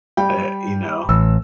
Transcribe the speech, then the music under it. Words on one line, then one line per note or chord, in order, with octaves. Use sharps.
eh, you know.
G3 G5
A1 E6